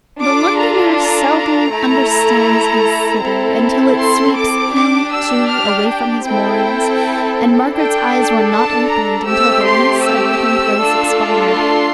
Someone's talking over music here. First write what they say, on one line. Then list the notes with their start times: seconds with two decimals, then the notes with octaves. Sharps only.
The Londoner seldom understands his city until it sweeps him, too, away from his moorings, and Margaret's eyes were not opened until the lease of Wickham Place expired.
0.21 D4 F4 A4 D6
0.59 A#5
0.96 A#5
1.72 A3 E4 A4
3.23 C4 E4 A4
4.00 C6
4.37 D6
4.74 D4 G4 D6
5.12 E6
5.50 F6
5.88 G5
6.25 C4 E4 A4 G5
7.77 D4 A4 G5
8.52 A5
8.90 A#5
9.28 A3 C4 G4 E6
9.65 C6
10.03 E6
10.78 A3 D4 F4 A4
11.55 C6